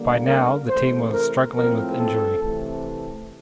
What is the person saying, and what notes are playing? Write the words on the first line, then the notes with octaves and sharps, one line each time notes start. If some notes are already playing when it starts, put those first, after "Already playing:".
By now the team was struggling with injury.
Already playing: D3 G3 A#3
A#4
C3 E3 A3 C5
A#4
A2 F3 C4 A#4
A4
C3 E3 A3